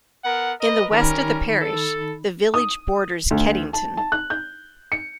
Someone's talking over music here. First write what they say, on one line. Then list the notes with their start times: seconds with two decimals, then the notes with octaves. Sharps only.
In the west of the parish, the village borders Keddington.
0.24 B3 A#4 F#5
0.60 A#4 B4 D#5
0.91 D#3 G3 C#4 D#4 A#4 B5
1.61 A4
2.54 D#6
3.31 D2
3.73 A5
3.97 A5
4.12 F#6
4.30 G6
4.92 C#7